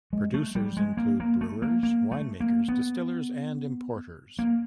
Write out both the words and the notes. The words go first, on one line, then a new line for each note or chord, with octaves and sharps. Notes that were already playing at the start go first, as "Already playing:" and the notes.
Producers include brewers, wine makers, distillers and importers.
G#3
A3
G3
G#3
A#3
A#3
A3
A#3
A#3
A3
A#3
B3
A#3